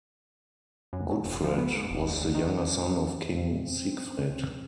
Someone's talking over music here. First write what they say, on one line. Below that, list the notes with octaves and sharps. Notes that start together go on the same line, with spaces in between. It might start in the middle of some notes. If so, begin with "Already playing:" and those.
Gudfred was the younger son of King Sigfred.
F#2
F#3
F1
F3
B3
G#2
F1
D2
D#3
C4